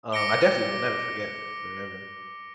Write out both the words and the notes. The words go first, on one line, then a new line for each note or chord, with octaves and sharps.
uh, I definitely will never forget her, ever,
D6 A#6 C#7 D7 G7